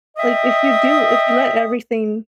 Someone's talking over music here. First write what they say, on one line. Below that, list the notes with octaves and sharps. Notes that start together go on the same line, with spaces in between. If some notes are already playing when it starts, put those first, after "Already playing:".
like if you do if you let everything
D#5 E5 G5 D#6